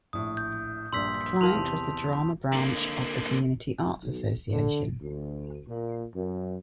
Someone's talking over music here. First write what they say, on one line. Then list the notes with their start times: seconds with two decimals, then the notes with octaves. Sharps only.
The client was the Drama Branch of the Community Arts Association.
0.13 A#1 A2 D#6
0.37 G6
0.93 A#1 G2 A#2 C6 E6 B6
1.41 E3 A#4 F5 A5 C6 F7
1.52 E2 C3
2.53 D3 A#3
4.02 B1
4.49 D3
5.01 D2
5.66 A#2
6.14 F#2